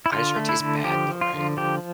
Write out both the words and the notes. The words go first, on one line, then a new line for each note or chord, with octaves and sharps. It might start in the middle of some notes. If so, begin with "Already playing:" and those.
I sure it tastes bad, though, right?
E4
D3 F4
A3
E4
D3
F3 G4
F3
F4
D3
F3 G4